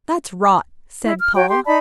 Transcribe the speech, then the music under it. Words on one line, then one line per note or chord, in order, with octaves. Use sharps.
"That's rot," said Paul.
E4
F6
F#4 C#5 G5
G4 C6
D#4 D5 A5 B5